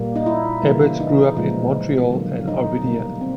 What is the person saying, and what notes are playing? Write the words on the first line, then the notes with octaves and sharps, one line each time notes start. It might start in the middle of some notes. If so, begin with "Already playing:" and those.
Eberts grew up in Montreal and Arvida.
Already playing: A#2 G3 A#3
D#4
E4
C#3 E3 G3 A#3
D#4
A#2 F3 G#3
D3 F#3 A#3
D#4
B2 G3 A#3
C4